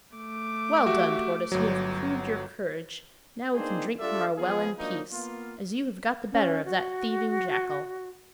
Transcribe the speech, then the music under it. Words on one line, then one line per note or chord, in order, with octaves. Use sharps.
'Well done, tortoise, you have proved your courage; now we can drink from our well in peace, as you have got the better of that thieving jackal!'
A3 D6
F#4 G4 E5
G1 F#3
A#3 C4 D4 D#4 G#4 C5
G3 D4 F4 A4 D5 E5
F3 B3 G#4
F3 F#3 A#3 D4 D#4
A#3 B3 F4
C#4
F#4